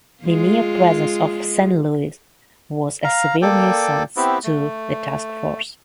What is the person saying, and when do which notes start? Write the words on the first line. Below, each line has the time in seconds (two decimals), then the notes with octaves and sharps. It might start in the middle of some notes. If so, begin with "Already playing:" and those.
The mere presence of "San Luis" was a severe nuisance to the Task Force.
0.24 G#3 F4
3.04 F5 A#5
3.42 A#3 A4 D5 G5
4.17 B3 C4 E4 G4
4.44 A3